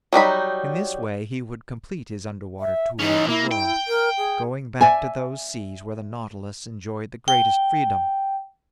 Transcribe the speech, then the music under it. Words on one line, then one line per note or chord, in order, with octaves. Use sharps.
In this way he would complete his underwater tour of the world, going back to those seas where the Nautilus enjoyed the greatest freedom.
F#3 G3 D#4 B5
E5
E3 C#4 D#4
A#3 E4
G5
A#4
G#4
D5 E5 G#5
G5